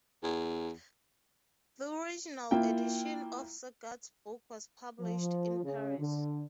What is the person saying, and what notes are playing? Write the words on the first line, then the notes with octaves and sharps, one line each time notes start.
The original edition of Sagard's book was published in Paris.
E2
A#3 E4 F4 G5
F3
C#3
D3